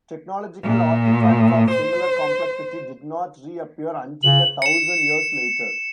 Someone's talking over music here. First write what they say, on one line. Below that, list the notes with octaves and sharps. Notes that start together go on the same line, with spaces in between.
Technological artifacts of similar complexity did not reappear until a thousand years later.
A#2
C5
C#3 F#7
C#7 E7